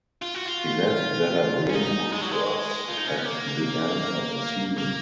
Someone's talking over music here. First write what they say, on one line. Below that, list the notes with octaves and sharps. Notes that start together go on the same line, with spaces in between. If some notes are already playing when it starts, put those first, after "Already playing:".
He left Werder Bremen reserves at the end of the season.
F4
F#4
F4
C#4
D#4
G#3
F#3
G#3
F4
D#4
C#4
B3
A#3
A#3